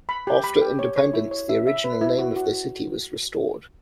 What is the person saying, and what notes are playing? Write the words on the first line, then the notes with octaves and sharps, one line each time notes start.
After independence the original name of the city was restored.
B5
G4
B5
G4
C#5
C#5
E4
C#5
E5
E5
B4
E4
F#4
F#4